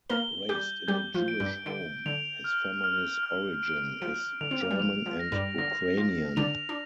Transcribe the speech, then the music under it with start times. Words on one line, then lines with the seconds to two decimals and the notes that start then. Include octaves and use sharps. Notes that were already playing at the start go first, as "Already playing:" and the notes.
Raised in a Jewish home, his family's origin is German and Ukrainian.
0.09 A#3 A#4 G7
0.49 G3 G4 G6
0.88 G3 G4 G6
1.15 F3 F4
1.28 D7
1.40 G2 G3
1.66 D3 D7
2.06 D3 F7
2.44 F6
2.84 F6
3.23 F6
3.63 D7
4.02 F3 D7
4.41 D3 F7
4.51 C4
4.61 A#3
4.71 G3
4.80 F3 F7
5.06 F3
5.19 A#6
5.32 G2 G3
5.58 D3 A#6
5.97 F3 A#6
6.36 D3 D4 F7
6.69 D4